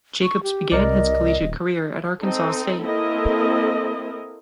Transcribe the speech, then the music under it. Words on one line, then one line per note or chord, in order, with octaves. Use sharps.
Jacobs began his collegiate career at Arkansas State.
C#6
G4
C2 A#4 D5 D#5
D#1
C4 D#4 A4
A#3 C4 E4 A4 A#4 D#5